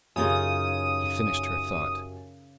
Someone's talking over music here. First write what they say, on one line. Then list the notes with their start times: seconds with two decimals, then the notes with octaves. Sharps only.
He finished her thought.
0.16 F#2 C#3 D#4 F4 G4 G#5 D#6